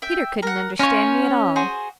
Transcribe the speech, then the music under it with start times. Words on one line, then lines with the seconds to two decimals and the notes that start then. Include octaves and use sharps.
Peter couldn't understand me at all.
0.02 E5 G5
0.42 A#4 F#5
0.79 C#4 D#4 F4 C#5
1.56 F#4 G#4 C5